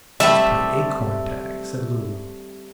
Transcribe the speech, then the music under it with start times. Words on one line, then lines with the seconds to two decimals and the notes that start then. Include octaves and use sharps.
"Let's play acorn tag," said Lulu.
0.20 G3 A3 C4 E5